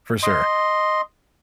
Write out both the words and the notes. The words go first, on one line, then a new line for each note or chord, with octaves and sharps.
for sure,
D#5 C6